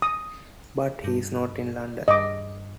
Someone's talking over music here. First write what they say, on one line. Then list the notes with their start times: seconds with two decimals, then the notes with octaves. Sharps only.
But he's not in London?
0.02 D#6
1.04 G2
2.08 G2 D#5 D6